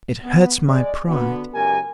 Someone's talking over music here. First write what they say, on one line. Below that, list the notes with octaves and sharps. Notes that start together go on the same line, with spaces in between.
It hurts my pride.
B3
G#3 D5
D3 B3 F#4
C#2 F#2 G4 A#4 G#5